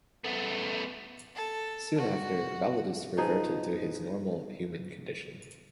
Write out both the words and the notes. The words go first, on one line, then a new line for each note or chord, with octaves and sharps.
Soon after, Validus reverted to his normal, human condition.
A3 B3
A4
F#4
B2 F3 D#4 G#4